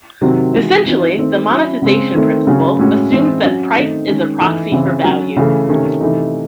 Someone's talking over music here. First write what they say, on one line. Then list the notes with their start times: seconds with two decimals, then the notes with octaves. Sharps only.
Essentially, the monestisation principle assumes that price is a proxy for value.
0.21 C3 D#3 F#3 C4
0.54 E3 G#3 D#4 F#4
0.86 E3 C4 D#4 F#4
1.18 D#3 A3 C4
1.51 F#3 C#4 E4
1.82 C#3 G#3 C4
2.15 D#3 A3 C4
2.47 C#3 F#3 C#4
2.79 A2 G#3 C#4 F#4
3.11 E3 G#3 C4 D#4
3.43 F#3 C#4 F#4
3.75 D#3 A3 C4 D#4
4.07 D#3 G#3 C#4
4.40 E3 A3 D#4
4.72 C#3 E3 C4
5.04 F#3 C#4 F#4
5.37 C#3 E3 A3
5.69 C3 D#3 A3 C#4
6.01 C3 E3 A3 D#4